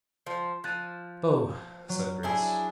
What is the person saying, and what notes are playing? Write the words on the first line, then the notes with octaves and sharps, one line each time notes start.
"No," said Grace.
F3
F3 F#6 A6 D#7
F#3
D4 E4 G#4